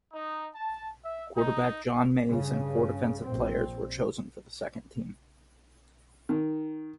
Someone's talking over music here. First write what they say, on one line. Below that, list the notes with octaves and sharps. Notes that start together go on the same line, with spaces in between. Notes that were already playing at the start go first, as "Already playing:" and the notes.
Quarterback John Mayes and four defensive players were chosen for the second team.
D#4
A5
E5
D#4
G2 C#3
A#1 C4
D#3